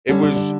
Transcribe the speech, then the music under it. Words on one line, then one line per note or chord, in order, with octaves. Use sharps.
it was
D3 G3 C#4
D4
D4